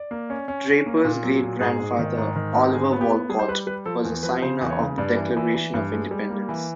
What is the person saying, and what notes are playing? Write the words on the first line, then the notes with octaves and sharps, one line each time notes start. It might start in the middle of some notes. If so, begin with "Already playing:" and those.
Draper's great-grandfather, Oliver Wolcott, was a signer of the Declaration of Independence.
Already playing: D5
A#3
C#4
C#4
C#4
A#3
A#2
F#3
A#2
G#2 G#4
G#2
D#3
G#2
D#3
G#2
D3 G#4
B3
G4
B3
G3 G#4
C5
G3 B4
G3 B4
F3 A4
E2
F3 B4
C#3 C5
E2
C#5
C#3
G2 D5
E3
E3
E3
G2
G#3
G3
A#3
E3